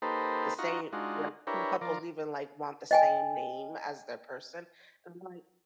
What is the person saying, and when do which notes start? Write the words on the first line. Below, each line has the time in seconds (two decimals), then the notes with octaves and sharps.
the same, like, some couples even like want the same name as their person. I'm like,
0.02 A#3 D#4 G4 A4 B4 C5
0.59 D#4 F4 F#4 A#5 C#6
0.93 G#3 D4 D#4 F4 F#4
1.47 D4 E4 G4 A#4 B4 C#5
1.81 F3 A#4 D5
2.91 D#5 G5 G#5